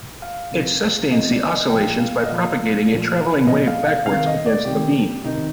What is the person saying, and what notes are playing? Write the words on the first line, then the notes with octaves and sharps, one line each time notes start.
It sustains the oscillations by propagating a traveling wave backwards against the beam.
F5
C3 F3
C3 F3 D#5
D5
D#5
A#2 F3 G5
F5
D#5
A#2 F3 F5
A#2
F3
A#2 F3 D#5
F5
F5
C3 D#3 F5
D#5
D5
C3 D#3 G4
C3 D#3 D#4